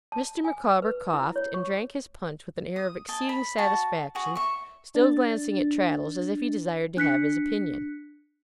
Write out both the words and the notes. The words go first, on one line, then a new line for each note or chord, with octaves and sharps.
Mr. Micawber coughed, and drank his punch with an air of exceeding satisfaction--still glancing at Traddles, as if he desired to have his opinion.
A5
G#5
B4
E4
C#5
C#6
D#6
D#5 G#5 A5
B5
F#4 A5
F#4 G#4
E5 C#6
D4 A6
D4 F#6 B6 C#7